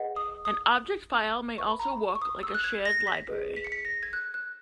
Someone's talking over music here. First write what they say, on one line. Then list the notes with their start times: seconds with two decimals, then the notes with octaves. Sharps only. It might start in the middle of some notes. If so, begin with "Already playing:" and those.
An object file may also work like a shared library.
Already playing: G#4 B4 D#5 F#5
0.16 D#6
0.45 D#6
1.58 B4 E5 C#6
1.71 B5
1.80 A#5
2.15 C#6
2.22 D#6
2.43 E6
2.54 F#6
2.64 G#6
2.85 A#6
3.07 B6
3.28 G#4 B4 D#5
3.56 B6
3.64 C#7
3.72 B6
3.85 A#6
4.03 G#6
4.13 F#6
4.34 F#6